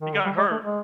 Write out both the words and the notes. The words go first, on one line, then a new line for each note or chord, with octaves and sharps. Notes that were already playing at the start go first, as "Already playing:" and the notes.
he got hurt
D#3
D3
G3
G#3
A3
G#3